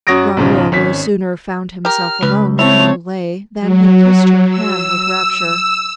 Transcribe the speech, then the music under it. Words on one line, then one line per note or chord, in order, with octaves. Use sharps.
Raoul no sooner found himself alone with Montalais, than he kissed her hand with rapture.
F#2 F#4 C#5 D#6 A#6 D7
B1 G#2 C#3 F3
G#1 C#4 B6
G4 A#4 F6
C#2 B4
A3 C4 E4 C#5 F7
F#3
E6